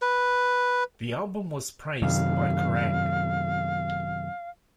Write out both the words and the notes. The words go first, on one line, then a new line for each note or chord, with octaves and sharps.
The album was praised by Kerrang!
B4
F#2 C3 D#3 F5